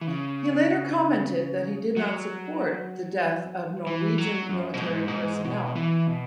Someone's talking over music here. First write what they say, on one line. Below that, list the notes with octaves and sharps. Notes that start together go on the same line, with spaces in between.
He later commented that he did not support the death of Norwegian military personnel.
E3
C#3
F#3
E3
F#3
F#2
B2
G#2
B2
G#2
B2
E3
B2